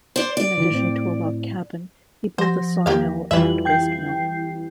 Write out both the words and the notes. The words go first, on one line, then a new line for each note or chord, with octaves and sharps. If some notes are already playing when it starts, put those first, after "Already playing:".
In addition to a log cabin, he built a sawmill and gristmill.
C5 D5
D5
D#3 E3
A2 C4
F3 C5 A#6
E2 D#3 A#3 G4 F5
F2 E3 G3 F4 E5 F#7
G5 G6 C7